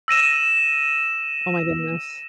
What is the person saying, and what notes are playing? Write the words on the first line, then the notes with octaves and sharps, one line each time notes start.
Oh my goodness.
E6 A#6 D#7 E7